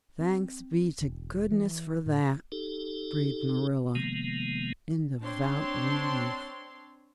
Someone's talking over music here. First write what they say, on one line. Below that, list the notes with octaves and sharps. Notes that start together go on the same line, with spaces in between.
"Thanks be to goodness for that," breathed Marilla in devout relief.
C4
E1
E3
A2
D#4 G4 A4
C3 D#3 F3 G#3 A#3 B3
C4 D4 C#5 A5 C6